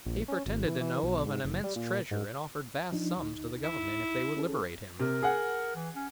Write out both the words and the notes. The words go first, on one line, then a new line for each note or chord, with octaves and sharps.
"He pretended to know of an immense treasure, and offered vast sums to the government if they would liberate him."
A#1
C#4
G#1
E3
E3
B1
G#2
F#1
G3
A#2
G#2
F3 D4 D#4
D2 D#4
E4
C#4 G#4 A4
C3 A#4
G#4 F#5
E3
C#4